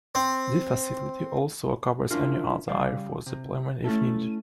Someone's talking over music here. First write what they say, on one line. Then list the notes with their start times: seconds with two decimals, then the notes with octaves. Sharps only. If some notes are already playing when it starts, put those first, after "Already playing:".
This facility also covers any other Air Force deployment if needed.
0.15 C4
2.11 C#4 D4 E4 F4 A#4
2.68 C#3 G3 D5 F5
3.26 C3
3.84 A3 C#4 E4 A4